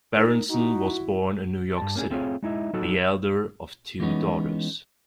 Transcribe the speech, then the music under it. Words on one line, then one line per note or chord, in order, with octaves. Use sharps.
Berenson was born in New York City, the elder of two daughters.
D#4 A#4
D#4 E4 F#4
G2 A5
A#3 C#4 G4 G#4
A3 C4 F4 G#4 A4 C#5
G#3 D#4 E4 E5
F#3 D#4 F#4 A4
E3 G#3 B3 C#4 D#4